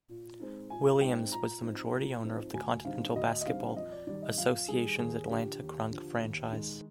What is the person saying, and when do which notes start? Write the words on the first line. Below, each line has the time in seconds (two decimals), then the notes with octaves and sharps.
Williams was the majority owner of the Continental Basketball Association's Atlanta Krunk franchise.
0.09 A#2
0.40 G#3 C4 D#4
0.70 A#2 G#5
1.01 G#3 C4 D#4 G5
1.32 A#2 A#5
1.62 F3 C4 D#4
1.93 A#2
2.23 F3 C4 D#4
2.54 D2 G#5
2.85 D3 G3 C4 D#4 F5
3.15 D2 D#5
3.41 D#5
3.46 D3 G3 C4 D#4 F5
3.77 F2 D#5
3.92 D5
4.07 D#3 G3 D5
4.22 D#5
4.38 F2 F5
4.68 D#3 G3 G#4
4.99 D#2 G#4
5.30 D3 F3 G4
5.60 D#2
5.91 D3 F3
6.22 D#2
6.53 D#3 G#3